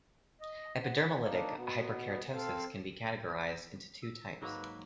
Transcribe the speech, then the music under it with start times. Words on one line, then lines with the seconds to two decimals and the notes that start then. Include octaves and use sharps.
Epidermolytic hyperkeratosis can be categorized into two types.
0.41 D#5
0.84 F#5
1.23 A#3 D4 D#4
1.56 B2 B3
2.34 C4 A4 F5
4.02 E6
4.42 G#2 F#3 A#3 B4